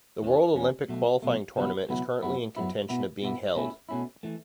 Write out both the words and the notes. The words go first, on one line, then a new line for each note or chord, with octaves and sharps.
The World Olympic Qualifying Tournament is currently in contention of being held.
E2 E3 C#4
E2 E3 C#4
B1 B2 A3
B1 B2 A3
C#2 B2 F#3 B3 E4
C#2 B2 F#3 B3 E4
F#2 F#3 B3 E4
F#2 F#3 B3 E4
B2 B3 E4
B2 B3 E4
B2 A3 C#4 E4
B2 A3 C#4 E4
E3 A3